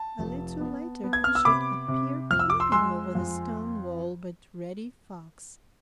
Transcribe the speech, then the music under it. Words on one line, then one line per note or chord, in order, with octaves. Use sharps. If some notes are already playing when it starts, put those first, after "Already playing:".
A little later who should appear peeping over the stone wall but Reddy Fox.
Already playing: A5
F1
B3
B3
G#6
F6
E6
C3 B5 D6
C3
F2 F6
E6
D6
C6 E6
G#3 C6 E6
F2